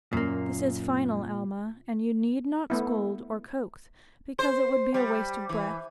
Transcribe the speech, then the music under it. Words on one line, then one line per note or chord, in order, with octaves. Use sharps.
This is final, Alma, and you need not scold or coax, because it would be a waste of breath.
F#2 A#2 A#3
A3 B3 E4
C5
G3
E3